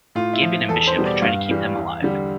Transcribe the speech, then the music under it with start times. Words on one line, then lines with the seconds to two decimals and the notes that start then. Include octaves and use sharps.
Gambit and Bishop try to keep them alive.
0.15 A2 F4
0.33 E4
0.42 F3
0.68 E2 A4
0.87 C5
0.96 B2 G3
1.05 D5
1.22 G2 F5
1.49 E3 G3
1.77 E2
2.02 D3 G3